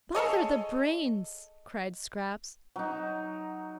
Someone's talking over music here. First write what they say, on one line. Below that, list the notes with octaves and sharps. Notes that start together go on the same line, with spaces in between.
"Bother the brains!" cried Scraps.
G#4 A4 C#5 D#5
F#3 D#4